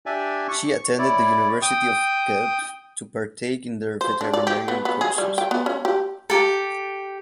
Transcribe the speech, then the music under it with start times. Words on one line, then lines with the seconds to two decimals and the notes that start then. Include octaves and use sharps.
She attended the University of Guelph to partake in their veterinarian courses.
0.06 D4 G4 D5 E5 G#5
0.48 C#6
0.98 E4 C#5 D5
1.62 G5 D#6
4.01 C5
4.21 D4
4.33 D5
4.47 G4
4.68 B3
4.85 B3
5.01 G#4
5.18 G3
5.38 G5
5.51 B3
5.66 C#4
5.85 G4
6.30 G4 A4